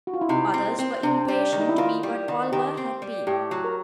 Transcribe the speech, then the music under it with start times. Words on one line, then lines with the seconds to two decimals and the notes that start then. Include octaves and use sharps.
Others were impatient to be what Oliver had been.
0.07 F#4
0.14 F4
0.21 E4
0.29 C3 D#4
0.54 C4
0.79 C4
1.03 C3 D4
1.28 G3
1.52 D#3
1.60 D#4
1.69 E4
1.78 D#3 F4
2.03 G3
2.28 D#3
2.52 D#3 G4
2.77 C4
3.02 G3
3.27 A2 G4
3.51 F#3
3.64 A#4